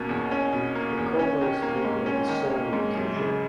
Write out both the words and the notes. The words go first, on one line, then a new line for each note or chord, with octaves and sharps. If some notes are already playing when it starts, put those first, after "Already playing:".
Rokola is a name of the son of Degei.
Already playing: B2 A#3 C#4
E2
C#4
B2
A#3
E2
C#4
D#3
A#3
G#2
C#4
D#3
A#3
G#2
F#2
C#3